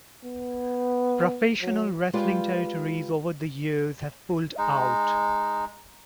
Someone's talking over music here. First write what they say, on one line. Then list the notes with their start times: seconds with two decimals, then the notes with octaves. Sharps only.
Professional wrestling territories over the years have pulled out.
0.24 B3
1.62 F#3
2.13 G#3 F4 G4 B4 D5 F5
4.58 G#3 D#4